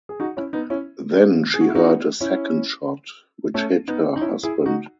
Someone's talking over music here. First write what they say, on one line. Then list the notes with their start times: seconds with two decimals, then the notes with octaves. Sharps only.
Then she heard a second shot, which hit her husband.
0.09 G#4
0.20 D#4 F#4
0.37 C#4 E4
0.53 B3 D#4
0.70 C#4 E4
1.54 G#4
1.61 F#4
1.68 E4
1.75 D#4 F#4
2.21 C#4 E4
3.54 A3 C#4
3.88 B3 D#4
4.16 D#4
4.21 C#4 E4
4.43 E4 G#4
4.66 D#4 F#4